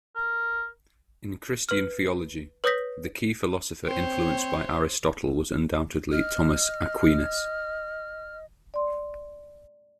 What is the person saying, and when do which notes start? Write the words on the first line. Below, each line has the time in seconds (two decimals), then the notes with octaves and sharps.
In Christian theology, the key philosopher influenced by Aristotle was undoubtedly Thomas Aquinas.
0.16 A#4
1.69 B4 F6
2.64 B4 C#5 D#6 G6 A#6 B6
3.86 C4 C5 C#5
6.12 D#5 F6
8.74 D5 C6